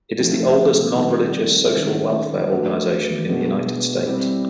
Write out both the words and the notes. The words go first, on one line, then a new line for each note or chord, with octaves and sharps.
It is the oldest non-religious social welfare organization in the United States.
F3 A3 C4 D#4
D#3 G3 C4 E4
D#3 G#3 C#4
A3 D4 F#4 B4
B2 G#3 B3 D4
G3 C4 E4